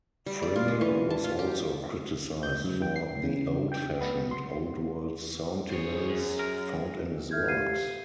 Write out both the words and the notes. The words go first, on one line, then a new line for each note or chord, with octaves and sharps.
Friml was also criticized for the old-fashioned, Old World sentiments found in his works.
G3
D5
F4
G#3
E3
A5
F4
G4
G6
F#2
G5
C7
C#3
G5
B3
C6
G#4 C5 C#5
F#2
A#4
A4 E5 F6 G6 G#6
G4 F5 G#6 C7 D#7